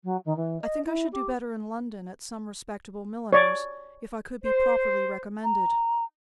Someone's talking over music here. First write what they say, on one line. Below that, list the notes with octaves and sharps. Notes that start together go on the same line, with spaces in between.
I think I should do better in London; at some respectable milliner's, if I could be properly recommended.
F#3
D#3
E3
D#5
E4
G4
C#5 D5
C5
A#5